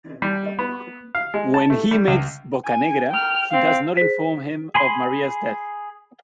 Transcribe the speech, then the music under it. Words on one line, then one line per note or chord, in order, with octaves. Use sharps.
When he meets Boccanegra he does not inform him of Maria's death.
G3
B3
F5
G#3
A5
A3
G3
C#2
G#5
G5 F6
C4 F5
G#4 C5 B6
G#4 G#5 B5 C6